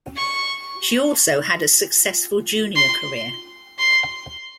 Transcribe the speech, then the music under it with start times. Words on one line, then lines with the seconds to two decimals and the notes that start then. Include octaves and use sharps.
She also had a successful junior career.
0.16 C#6
2.75 C6
3.79 C6